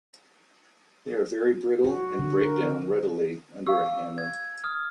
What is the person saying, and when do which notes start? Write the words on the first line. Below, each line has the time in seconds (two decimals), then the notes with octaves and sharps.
They are very brittle and break down readily under a hammer.
1.84 F#4
2.19 D3
2.41 A#4
3.67 G4 F5 D6 E6
4.18 G#6
4.64 D#6 F6